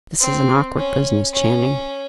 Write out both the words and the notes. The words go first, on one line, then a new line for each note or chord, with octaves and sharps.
"This is an awkward business, Channing."
C4
C#4
C#4